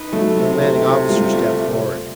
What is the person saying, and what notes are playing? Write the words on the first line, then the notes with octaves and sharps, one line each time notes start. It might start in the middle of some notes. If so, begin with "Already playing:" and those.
The commanding officer stepped forward.
Already playing: D#4 B4
F#3 A3
C3
A3
C3
G3 F4
A3